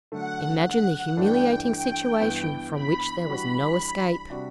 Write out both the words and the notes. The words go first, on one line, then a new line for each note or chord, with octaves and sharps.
Imagine the humiliating situation, from which there was no escape.
D3 F#3 A3 F#5
F#5
G2 E3 A3 D4 G5
G5
G2 E3 B3
B5
E3 G3 D4 F#4 B5
C3 G3 D4 F#4